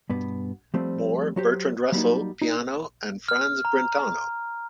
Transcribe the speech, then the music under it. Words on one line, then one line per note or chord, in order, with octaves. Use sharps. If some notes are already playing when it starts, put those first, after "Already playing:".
Moore, Bertrand Russell, Peano, and Franz Brentano.
G2 B2 B3
F3 G3 A3 C4
F#3 F#4 G4 C5
F#3 G3 A#3 D#4
D#4
F6
A#5